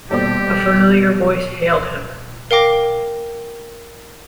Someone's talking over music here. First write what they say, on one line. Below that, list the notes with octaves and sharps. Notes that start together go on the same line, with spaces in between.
A familiar voice hailed him.
D#2 B2 G3 G4 A4 C5 D5
A#4 F5 G5 D6 A#6